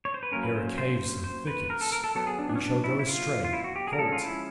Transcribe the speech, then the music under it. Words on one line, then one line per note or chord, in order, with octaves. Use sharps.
Here are caves and thickets: we shall go astray!--Halt!
C#5
C5
B4
F#3 A#3 C#4 A#4
B4
C5
C5
C5
C5
B4
A#4
A4
A#4
A4
F#3 B3 A4
G#4
D4
D4
C#4
D4
E4
E4
F4
F4
E4
F#4
G4
G#4
A#4
F3 G#3 C#4 A4
F4
E4